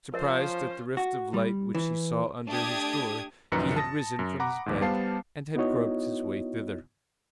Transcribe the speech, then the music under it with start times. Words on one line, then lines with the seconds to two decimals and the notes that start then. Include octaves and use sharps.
Surprised at the rift of light which he saw under his door, he had risen from his bed, and had groped his way thither.
0.14 F3 C#4 F4 A#4 C5 D#5
0.97 F#4
1.34 G3
1.75 E3
2.48 A3 D4 G4 D#6 G#6
3.52 A#1 F#2 D#3 B4 A#5 C#7
3.76 A5 D#6 A#6
4.19 F#2
4.40 F#5 A#5 B5 D6
4.66 A#1 D#2 G#2
4.81 G3 B3 C5 F5 A5 C7
5.56 B3 D#4 E4 F#4 C#5 D#5